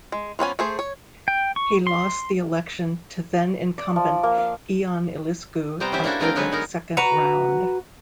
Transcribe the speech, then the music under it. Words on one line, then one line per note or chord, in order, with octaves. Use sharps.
He lost the election to then incumbent Ion Iliescu after the second round.
G#3
F3 B3 C#4 G#5
A3 G#4 C5
C#5
G5
C#6
C6
D5
F3
A#3
F5
C3 G3 B3 C5 G5 A#5
C#4 E4 G4 C5 E5
A#3 D4 E4 F#4 A4
G#3 C4 D4 A#4 F5 G5
D3 F#3 G#3 D#4 B4 C#5
B3 D#4 A#4
F#4 B4 A#5